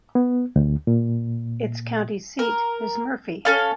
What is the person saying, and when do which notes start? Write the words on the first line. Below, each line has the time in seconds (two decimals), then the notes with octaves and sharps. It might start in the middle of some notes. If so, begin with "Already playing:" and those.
Its county seat is Murphy.
0.15 B3
0.56 D2
0.87 A#2
2.39 A#4
3.45 C#4 A4 F5